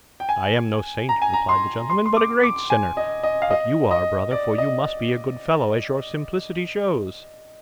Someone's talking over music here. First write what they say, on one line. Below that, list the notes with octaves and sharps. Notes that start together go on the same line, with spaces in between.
"I am no saint," replied the gentleman, "but a great sinner; but you are, brother, for you must be a good fellow, as your simplicity shows."
G5
G#5
A#5
G#5
A#5
C6
C6
C6
D6
D6
G#5
D#5
D#5
F5
D#5
D#5
D5
D#5